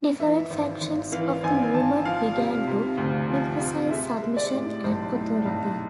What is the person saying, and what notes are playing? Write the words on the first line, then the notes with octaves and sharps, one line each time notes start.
Different factions of the movement began to emphasise submission and authority.
E3 E5
G#1
G#1
E3 F5
G#1 G#5
G#1 A5
F3 F5
C3
C3
D2
F3
C3
G#3 E5
G#3
D5
A2
B1 C5
A2
B1